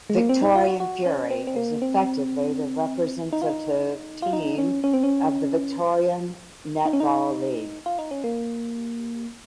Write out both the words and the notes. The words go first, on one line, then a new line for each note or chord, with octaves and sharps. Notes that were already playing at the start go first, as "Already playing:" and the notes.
Victorian Fury is effectively the representative team of the Victorian Netball League.
G#3
A#3
C4
D#4
F4
F#4
F#4
C#4
C4
C4
A#3
C4
D#4
F4
D#4
F4
D#4
C#4
C#4
C4
C#4
D#4
C#4
D#4
F4
D#4
C#4
A#3